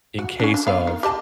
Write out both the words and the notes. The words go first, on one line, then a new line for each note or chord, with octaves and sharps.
in case of
F#4
C#4 D4
D4
B3 F5
D#3
G4 D#5 A5